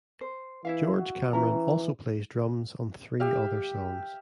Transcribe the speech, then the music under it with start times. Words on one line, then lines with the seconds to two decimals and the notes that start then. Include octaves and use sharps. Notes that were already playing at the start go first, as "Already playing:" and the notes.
George Cameron also plays drums on three other songs.
0.21 C5
0.65 E3 E4 E5 F5
0.99 F#4
1.33 E3 C#4 A#5
3.20 G4 E5 F5